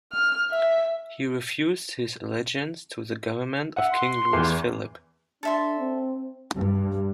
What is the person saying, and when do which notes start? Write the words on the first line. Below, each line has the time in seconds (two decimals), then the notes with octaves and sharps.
He refused his allegiance to the government of King Louis Philippe.
0.12 F6
0.50 E5
3.77 E5 F#5
3.91 C6
4.33 E2 E3
5.43 D4 A4 E5 C6
5.79 C4
6.55 G2